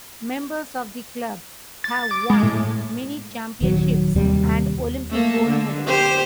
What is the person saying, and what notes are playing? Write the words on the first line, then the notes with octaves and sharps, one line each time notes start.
Members of the club have won many championships and Olympic gold medals.
A6
A6
D6
G#3
A2
D#1 D#3 F#3
D#2 C3 G3
A3 A#3
D3
G4 C5